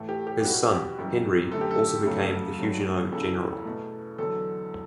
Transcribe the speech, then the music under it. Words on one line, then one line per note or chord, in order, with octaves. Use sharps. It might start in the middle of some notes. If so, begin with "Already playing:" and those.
His son, Henri, also became a Huguenot general.
Already playing: A2 E3 A3
G4
G4
G4
B2 G3 F#4
G4
F#2 E3 G3
F#2 D3 A3 A4
G4
A4
F#2 C#3 F#3 A3
G2 F#3 A3
E2 C#3 E3 A4
B2 A3
E2 D3 F#3 A4